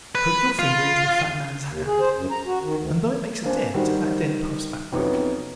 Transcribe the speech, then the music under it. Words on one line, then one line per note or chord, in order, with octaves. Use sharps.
Poke your finger into a fat man's hand and though it makes a dent that dent puffs back quickly.
B4
F4
D#2
G#4
C5
F#2
A#5
F#4
D#3
D2
A#3 C4 D4 C5 G#5
D#3 G3 D#4 F#4 G4 C5
F2 C3 F#3 B3 C#4 D#4